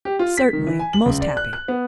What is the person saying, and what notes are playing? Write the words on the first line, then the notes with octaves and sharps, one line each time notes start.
"Certainly; most happy."
G4
F4
B6
D#3
E3
G#5
F#7
C#2
D5
F#6
F#6
B3